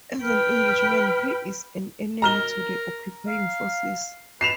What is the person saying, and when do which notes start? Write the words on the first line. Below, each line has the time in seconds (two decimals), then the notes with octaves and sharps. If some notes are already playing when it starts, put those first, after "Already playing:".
As an Englishman, he is an enemy to the occupying forces.
0.24 B4 G5 F6
2.22 A#4 A#5 F6 G7
3.28 F5
4.41 B4 C7 E7 F7